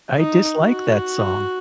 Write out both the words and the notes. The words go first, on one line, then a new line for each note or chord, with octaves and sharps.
I dislike that song.
D#4
F#4